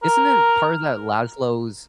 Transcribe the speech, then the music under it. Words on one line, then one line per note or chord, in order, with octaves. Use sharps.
Isn't it part of that Laszlo's
A#4